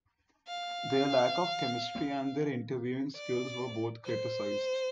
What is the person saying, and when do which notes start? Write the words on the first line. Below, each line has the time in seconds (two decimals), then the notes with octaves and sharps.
Their lack of chemistry and their interviewing skills were both criticized.
0.48 F5
3.16 D5
4.05 C5